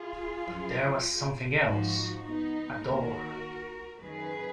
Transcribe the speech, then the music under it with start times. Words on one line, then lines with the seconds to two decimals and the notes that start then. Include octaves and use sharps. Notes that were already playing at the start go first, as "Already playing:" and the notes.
But there was something else — a door!
Already playing: F4 G#4
0.47 F#2 F3
1.65 G#2 F3 D#4 F#4
2.25 B3 D#4
2.83 D#2 D#3 F#4 A#4
4.01 F#2 D#3 G#4 B4